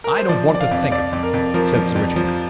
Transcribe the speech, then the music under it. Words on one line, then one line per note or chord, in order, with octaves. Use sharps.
"I don't want to think of them," said Sir Richmond.
A#4
C5
F3 D5
F3 D5
F5
F2
F2 D5
F2
A#4
F2
F3 A#4
F3
F2
F3